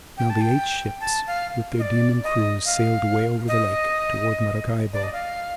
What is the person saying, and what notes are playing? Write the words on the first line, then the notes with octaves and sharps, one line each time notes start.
Now the eight ships with their demon crews sailed away over the lake toward Maracaibo.
G5
A5
G5
A5
F5
D#5
D5
D#5
F5
D#5
D5
D#5
F5